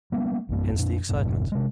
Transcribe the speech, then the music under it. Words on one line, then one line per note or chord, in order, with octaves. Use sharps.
Hence the excitement.
G3 A#3 B3
A#1 F#2 A#3
F2 A#2
G#1 E2 G2 B2
C3 G#3